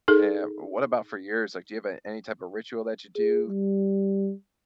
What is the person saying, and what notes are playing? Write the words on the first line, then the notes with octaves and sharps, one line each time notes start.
Eh, what about for yours? Like, do you have a any type of ritual that you do?
D#4 G#4 A4
G#4
G3